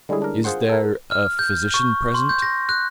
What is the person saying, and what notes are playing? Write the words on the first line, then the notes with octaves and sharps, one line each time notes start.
"Is there a physician present?"
D3 G3 G#3 C#4 E4 G#4
D4 A#4
F4 G#4 C5 F#5 C6
A4 A#4
F6
G6
C#6
C6
G6
A#6
F#6